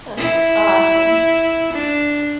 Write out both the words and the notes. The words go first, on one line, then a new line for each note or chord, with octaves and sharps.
That's awesome.
E4
D4